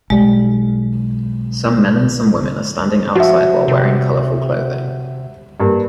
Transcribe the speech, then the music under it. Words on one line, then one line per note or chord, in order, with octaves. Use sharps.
Some men and some women are standing outside while wearing colorful clothing.
B1 G3 G#3
F3 F#4 E5
C3
G2 A#3